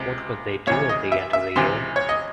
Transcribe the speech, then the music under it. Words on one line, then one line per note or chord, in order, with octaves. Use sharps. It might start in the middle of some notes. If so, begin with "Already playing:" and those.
What would they do at the end of a year?
Already playing: C#2 C3
C#2 C3 E3 C#5
D#5
E5
E5
C#2 C3 E3 C6
C#5
D#5